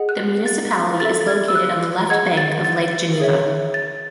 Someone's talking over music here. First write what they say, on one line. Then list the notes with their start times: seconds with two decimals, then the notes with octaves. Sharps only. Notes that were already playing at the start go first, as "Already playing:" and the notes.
The municipality is located on the left bank of Lake Geneva.
Already playing: G#4 D#5 F#5
0.09 F#6
0.46 A6
1.00 A4 E5 A6
1.21 A6
1.28 G#6
1.48 E6
1.55 F#6
2.09 G#4 D#5 F#5 G#6
2.37 A6
2.65 A6
3.20 G#4 C#5 E5
3.74 A6